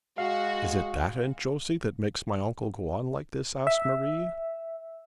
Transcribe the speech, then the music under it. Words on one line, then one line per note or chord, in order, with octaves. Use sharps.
'Is it that, Aunt Josey, that makes my uncle go on like this?' asked Marie.
G#3 F#4 F5
E5